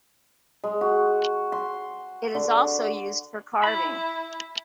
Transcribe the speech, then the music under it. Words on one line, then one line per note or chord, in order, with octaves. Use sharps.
It is also used for carving.
G#3
F#4
C6
D3
E4 E5 B5